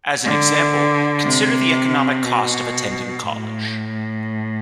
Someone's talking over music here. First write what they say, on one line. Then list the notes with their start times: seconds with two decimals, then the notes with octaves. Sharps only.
As an example, consider the economic cost of attending college.
0.25 D3
1.24 C3
2.24 B2
3.23 A2